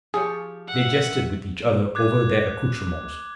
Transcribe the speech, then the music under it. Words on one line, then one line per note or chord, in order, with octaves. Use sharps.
They jested with each other over their accoutrements.
F3 G4 G#4 C#5
E5 F#5
D6 F#6 G#6